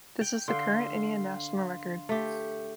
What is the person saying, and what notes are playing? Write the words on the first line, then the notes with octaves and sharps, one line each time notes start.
This is the current Indian national record.
G5
D3 F5 C6
A3 G4